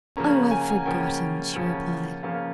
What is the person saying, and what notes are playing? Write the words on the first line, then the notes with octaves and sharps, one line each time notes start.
"Oh, I've forgotten..." she replied.
C#3 F3 A#3 C#4 A#5
G#5
A#5
G#5
C#3 F3 A#3 C#4 G5
C#3 F3 A#3 C#4
C#3 F3 A#3 C#4 F5